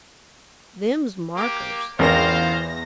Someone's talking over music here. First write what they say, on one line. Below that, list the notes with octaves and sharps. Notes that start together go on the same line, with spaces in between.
Them's markers.
A#3 G4 D6
G#1 E2 C#4 F4 A#4 C5 F5 A#6